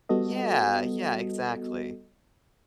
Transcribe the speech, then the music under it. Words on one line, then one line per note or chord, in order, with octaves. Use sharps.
Yeah yeah, exactly,
G3 B3 F#4 A4 D#5